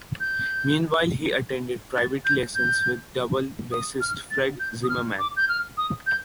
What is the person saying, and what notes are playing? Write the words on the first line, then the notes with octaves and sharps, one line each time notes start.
Meanwhile, he attended private lessons with double bassist Fred Zimmerman.
G6
A6
G6
G6
D#6
F6
A6
G6
D#6
F6
D6
G6
F6
D#6
G6